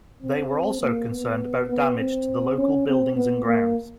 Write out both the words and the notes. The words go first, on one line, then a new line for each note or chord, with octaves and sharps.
They were also concerned about damage to the local buildings and grounds.
C4
A#3
B3
B3
C4
C#4
C4
B3
A#3